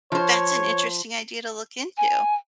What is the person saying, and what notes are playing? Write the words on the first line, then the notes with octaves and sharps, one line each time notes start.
That's an interesting idea to look into.
F3 C5 C#5
G#5